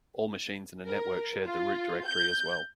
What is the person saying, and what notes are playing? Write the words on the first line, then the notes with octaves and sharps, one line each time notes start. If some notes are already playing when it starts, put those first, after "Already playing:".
All machines in a network shared the root directory as well.
A#4
F4
G6